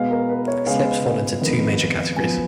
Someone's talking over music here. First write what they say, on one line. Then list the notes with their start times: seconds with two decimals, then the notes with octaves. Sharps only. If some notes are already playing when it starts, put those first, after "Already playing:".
Slips fall into two major categories.
Already playing: B2 G#3 B3 F5
0.10 A#4
0.29 B4
0.48 C#5
0.66 C#3 G#3 B3 F5
1.41 F2 D#3 G#3 B3
2.16 F#2 F3 B3 G#5